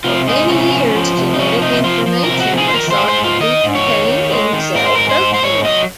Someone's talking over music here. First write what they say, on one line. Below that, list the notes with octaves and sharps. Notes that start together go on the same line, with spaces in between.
For many years, genetic information was thought to be contained in cell protein.
C3 F4
G#3 D#4
C3 C#4
F3
F3
C3
D#4
F3 C#4
C3 D#4
F3 F4
F3
A#4
C3
F#4
F3
G#4
C5
D#3 A#4
C5
G#3
C5
G#2
F4
D#3 D#5
G#2
C#5
D#3
D#3
G#3
D#3
G#2 A#4
C5
G#2 A#4
C5
G#2
C5
G#2 C#5
F#3 D#5